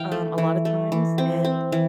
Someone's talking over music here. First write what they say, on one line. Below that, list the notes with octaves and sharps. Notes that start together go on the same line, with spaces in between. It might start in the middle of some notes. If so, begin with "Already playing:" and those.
um, a lotta times. And
Already playing: E3 F5 G5
A3
E3
A3
E3
C4
C4
E3